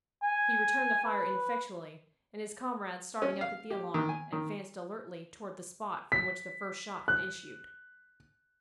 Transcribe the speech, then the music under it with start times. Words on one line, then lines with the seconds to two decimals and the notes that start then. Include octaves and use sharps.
He returned the fire ineffectually, and his comrades, starting up at the alarm, advanced alertly towards the spot from which the first shot had issued.
0.23 G#5
1.04 B4
3.22 C#4
3.41 F5
3.70 G4
3.94 D#3
4.09 G#5
4.32 D#3
6.12 B6
7.08 F#6